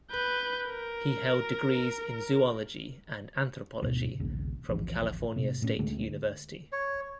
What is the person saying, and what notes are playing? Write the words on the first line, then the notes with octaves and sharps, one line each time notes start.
He held degrees in zoology and anthropology from California State University.
B4 G6
A#4
D2 G#2 B2
E1 A#1 D#2 C#3
G#1 D2 E3 F3
A2 C3
A2 B3 C#4
D2 D3 G#3 A3
C#5